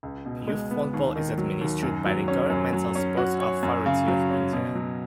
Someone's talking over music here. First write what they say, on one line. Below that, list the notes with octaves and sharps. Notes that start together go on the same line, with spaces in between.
Youth football is administered by the governmental Sports Authority of India.
C#2
B2
G#3
B3
D#2
D#3
F#3
D#2
F#2
F#3
C#4
F#2
F#3
C#4
F#4
C#5
F#2
C#3
F#3
C#4
B2
F#3